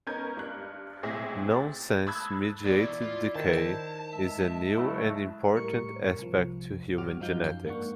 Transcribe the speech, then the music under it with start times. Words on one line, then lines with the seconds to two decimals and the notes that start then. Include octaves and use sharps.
Nonsense-mediated decay is a new and important aspect to human genetics.
0.07 B3 C#4 D#4 A#4 G6 G#6
0.37 G2 F#6
1.03 B1 A2 C4 G#4 E5 A#6
1.54 A6
2.06 A5 B5 D#6 E6 F#6 G#6
2.65 E2 B2 E4 D5
3.02 F4
3.35 D#3 C5 A5
4.12 G#3 E5 E6
4.77 C#3 F#3 A3 E4
5.53 A2 G3 A#4 C#6 C#7
6.19 C2 F3
6.98 G#1 F#3 F#4 D6 F6
7.20 F#2 F3 D#4 F5 G6
7.66 G#2 A#3 D4 F#5 C#6